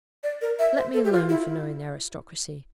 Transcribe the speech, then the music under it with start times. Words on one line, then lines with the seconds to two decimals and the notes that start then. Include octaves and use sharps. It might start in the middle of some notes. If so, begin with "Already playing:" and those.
Let me alone for knowing the aristocracy.
0.23 D5
0.41 A#4
0.59 E5
0.77 C5
0.93 A4
1.04 G4
1.12 F4
1.29 E4